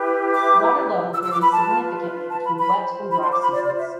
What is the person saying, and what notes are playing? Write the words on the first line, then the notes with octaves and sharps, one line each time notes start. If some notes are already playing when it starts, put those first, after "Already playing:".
Water level varies significantly between wet and dry seasons.
Already playing: E4 G4 B4
D6
F4 B4 E6
E6
D6
B5
A5
A5
B5
B5
F4 C5
B5
C6
D6
B5
D5
D5
E5